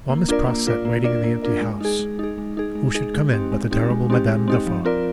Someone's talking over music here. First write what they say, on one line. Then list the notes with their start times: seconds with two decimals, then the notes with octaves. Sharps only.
While Miss Pross sat waiting in the empty house, who should come in but the terrible Madame Defarge!
0.09 A#3
0.28 D4 F4 A#4 D5
0.47 A#3
0.67 D4 F4 A#4 D5
0.85 A#3
1.04 D4 F4 A#4 D5
1.24 A#3
1.42 D4 F4 A#4 D5
1.61 G#3
1.81 D#4 G#4
1.99 G#3
2.19 D#4 G#4
2.38 G#3
2.57 D#4 G#4
2.75 G#3
2.95 D#4 G#4
3.14 G#3
3.33 C4 D#4 G4
3.52 G#3
3.71 C4 D#4 G4
3.90 G#3
4.10 C4 D#4 G4
4.28 G#3
4.48 C4 D#4 G4
4.66 F3
4.85 C4 F4 A#4 D5